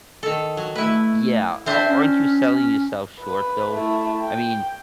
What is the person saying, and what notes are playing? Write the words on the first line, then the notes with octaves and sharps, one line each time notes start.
Ye yeah. Ar aren't you selling yourself short, though? I mean,
D#3 A4
F#3
A3 E4 B4
C4 D4 C5 E5
C#4
B4
A3 E4
G5